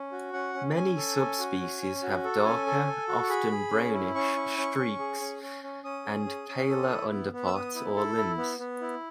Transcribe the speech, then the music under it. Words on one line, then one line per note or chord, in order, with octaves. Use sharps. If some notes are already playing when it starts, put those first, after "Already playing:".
Many subspecies have darker, often brownish, streaks, and paler underparts or limbs.
Already playing: C#4
F#4
C#4 F#5
C#4
C#4 G#5
A4
C#4
F#4
C#4
C#4
F#4
A4
C#4 G#5
A4
A4
F#4
C#6
G#4 B5
G#4
C#4
E4
C#4 C#6
E4
C#4
C#4
G#4
C#4
C#4
C#4
C#4 D#6
G#4
C#4
C#4
A4
E4
B3
B3
E6
B3 D#6
E4
A4
E4
B3
B3
E4